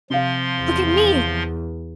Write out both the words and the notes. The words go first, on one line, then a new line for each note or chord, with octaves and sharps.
"Look at me!"
C3 F3 F5 C6
E2